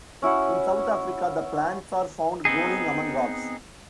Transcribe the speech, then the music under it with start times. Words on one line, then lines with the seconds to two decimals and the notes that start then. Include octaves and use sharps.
In South Africa the plants are found growing among rocks.
0.22 C#4 E4 F#4 F#5
2.45 B3 C4 D#4 G#4